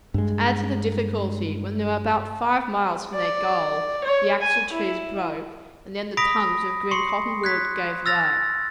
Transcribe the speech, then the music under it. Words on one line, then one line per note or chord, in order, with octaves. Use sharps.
To add to the difficulty, when they were about five miles from their goal the axle-trees broke, and then the tongues of green cottonwood gave way.
G2 G#3
D5
C#5
G#5
E4
B5 D#6 A#6 B6 D7
C6 C#6 C7 C#7
F#6 G#6 B6
E6 F6 A6 A#6 F7